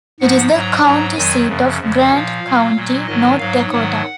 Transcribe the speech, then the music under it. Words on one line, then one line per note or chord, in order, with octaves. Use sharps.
It is the county seat of Grant County, North Dakota.
G#2 F3 F#5
G#2 F#3 A#5
G#2 F#3 A#5
F2 D#3 F#3 G#5
F#2 C#3 F3
F2 C#3 F3
A#2 F3 F5
A#2 F#3
A#2 F#3
G#2 D#3 F#3 D#5
G#2 F#3 F5
G#2 D#3 F#3 F#5